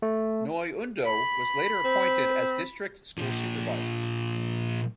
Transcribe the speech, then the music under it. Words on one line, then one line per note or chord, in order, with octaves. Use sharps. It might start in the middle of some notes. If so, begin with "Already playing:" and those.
Noy Undo was later appointed as district school supervisor.
A3
B5
C4
A#2 F3